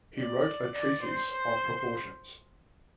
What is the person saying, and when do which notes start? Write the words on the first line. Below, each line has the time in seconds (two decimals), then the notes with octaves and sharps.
He wrote a treatise on proportions.
0.17 D5
0.75 D5
1.03 C5
1.32 C5